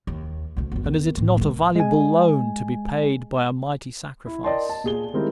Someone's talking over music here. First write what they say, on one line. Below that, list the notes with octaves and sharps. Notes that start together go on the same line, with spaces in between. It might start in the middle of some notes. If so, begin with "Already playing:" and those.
And is it not a valuable loan to be paid by a mighty sacrifice?
D#2
D2 D3
G1 F#2
D#3 B3
A2 C4
D#3 G#3
G#3 G#5
E4
A#4 D5 D#5 G5 A5 C6
A5
A#2 G#4 G7
D#3 G3 G#3 C4 E4 A#4